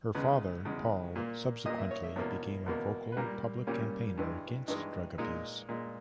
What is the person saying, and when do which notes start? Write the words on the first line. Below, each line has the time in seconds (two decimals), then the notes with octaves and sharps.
Her father, Paul, subsequently became a vocal public campaigner against drug abuse.
0.15 E2 C#3 G#3 B4
0.65 E2 C#3 G#3
1.16 A#2 A#3
1.66 A#2 A#3 D#5
1.78 E5
1.91 C#5
2.03 E5
2.16 E2 B2 A#3 C#5
2.66 E2 B2 A#3
3.12 B4
3.16 A#2 G3 A#3 A#4
3.67 A#2 G3 A#3 C#4
4.18 G2 E3 G#3
4.68 G2 E3 G#3 D#4
5.18 A#2 G#3 D#4
5.69 A#2 G#3